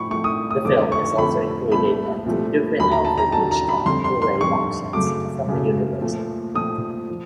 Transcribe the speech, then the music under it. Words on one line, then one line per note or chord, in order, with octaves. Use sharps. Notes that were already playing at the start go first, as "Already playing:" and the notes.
The film is also included on two different Alfred Hitchcock Blu-ray boxsets from Universal.
Already playing: A2 F3 A3 B5 C#6
A2 F3 A3 C#6
D#6
D#6
F2 D3 F3 A3 D6
C#6
F2 D3 F3 A3 B5
C2 A#2 F3 A3 B5
C2 A#2 F3 A3
D#2 D3 F#3 B5
A#5
A5
A#5
D#2 D3 F#3 A5
A#5
B5
F2 D3 G3 C6
C6
C6
F2 D3 G3 C#6
F#2 C#3 F#3 A3 D6
F#2 C#3 F#3 A3
A#2 F3 A3
A#2 F3 A3 D#6
F3